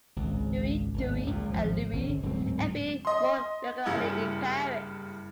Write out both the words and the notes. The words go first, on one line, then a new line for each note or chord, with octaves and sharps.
Huey, Dewey and Louie appear more regularly in Paris.
G#1 C#2
G#1 D#2
C#2 F#2 A#2
G#1 F3
G#1 D3 C4 C#4
D1 G#2 F#3 C4
D#5 C6
F#1 G2 E4